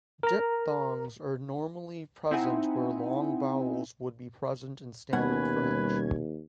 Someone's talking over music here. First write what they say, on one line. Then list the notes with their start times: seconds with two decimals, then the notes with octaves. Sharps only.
Diphthongs are normally present where long vowels would be present in standard French.
0.23 A#4 A#5
2.31 C4 D#4 E4 E5 F#5 G#5
5.13 D#2 B2 G3 C#4 B4 F#5 G#6